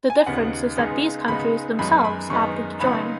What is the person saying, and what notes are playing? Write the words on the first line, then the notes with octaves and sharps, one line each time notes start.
The difference is that these countries themselves opted to join.
G#5
D#2 C#3 B3 D#4 F#5
C#2 C#3 G#3 B3 D#4
C#2 C#3 G#3 B3 D#4 B5
F#2 D#3 G#3 B3 D#4 B5
B5
F#2 D#3 G#3 B3 D#4 C#6
C#2 C#3 F#3 B3 D#4 B5